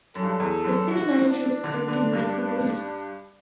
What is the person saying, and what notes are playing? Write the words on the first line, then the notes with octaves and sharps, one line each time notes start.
The City Manager is currently Michael Graese.
F#2 A4
G2
F#2
E2
F#2
E3 F#4
D4
D3
D3
G2